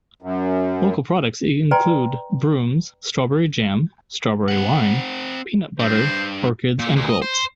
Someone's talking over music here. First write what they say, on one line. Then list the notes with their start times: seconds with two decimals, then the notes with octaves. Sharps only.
Local products include brooms, strawberry jam, strawberry wine, peanut butter, orchids and quilts.
0.22 F#2
1.71 B4 D5 G5 G#5 A#5 C6
4.48 C4 F#5
5.80 G2 C5
6.79 A#2
6.96 D2
7.10 D#5
7.22 C5